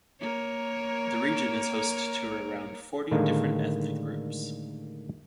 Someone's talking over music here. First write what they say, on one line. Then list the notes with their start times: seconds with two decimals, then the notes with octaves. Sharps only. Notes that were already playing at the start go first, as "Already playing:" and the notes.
The region is host to around forty different ethnic groups.
0.20 A#3 A#4 C#5
3.11 A2 D3 D#3 G3 G#3 A#3